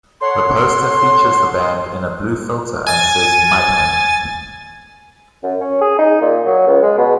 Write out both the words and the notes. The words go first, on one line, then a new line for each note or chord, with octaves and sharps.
The poster features the band in a blue filter and says Mudhoney.
A4 C#5 F#5 C6
G#5 A6
F#2
C#4
G#4
D#4
A#2
F#3
C#2
G#3
B2